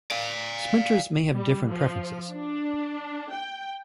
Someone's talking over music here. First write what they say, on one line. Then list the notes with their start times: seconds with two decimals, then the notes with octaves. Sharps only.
Sprinters may have different preferences.
0.11 D5 F5
1.34 G3
1.69 F3
2.31 D4
3.32 G5